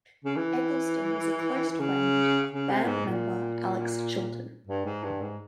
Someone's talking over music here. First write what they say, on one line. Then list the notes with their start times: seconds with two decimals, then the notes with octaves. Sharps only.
Eggleston was a close friend of band member Alex Chilton.
0.25 C#3
0.36 E3
1.70 E3
1.80 C#3
2.52 C#3
2.70 C3
2.84 A#2
2.88 G#2
3.06 A#2
4.67 G2
4.85 G#2
5.04 G2
5.21 G#2